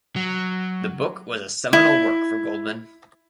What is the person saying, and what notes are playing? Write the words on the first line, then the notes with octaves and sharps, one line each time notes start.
The book was a seminal work for Goldmann.
F#3
E4